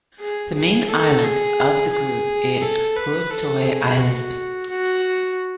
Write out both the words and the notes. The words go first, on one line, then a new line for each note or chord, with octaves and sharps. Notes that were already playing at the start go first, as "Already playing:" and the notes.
The main island of the group is Po Toi Island.
G#4
G#4
A4
G#4
G#4
A4
B4
A4
G#4
F#4
F#4